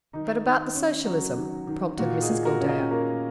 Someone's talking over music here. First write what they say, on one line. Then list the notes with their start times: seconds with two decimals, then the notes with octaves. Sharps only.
'But about the Socialism?' prompted Mrs Gildea.
0.13 D#3 D#4
0.45 D#3
0.75 C#4
1.05 F#3 F#4
1.36 D#3
1.67 D#3
1.98 A#2 F#4
2.22 D#4 G#4
2.29 A#2
2.45 F#4 A#4
2.61 C#4
2.68 A#4 D#5
2.91 A#3 F#4 A#4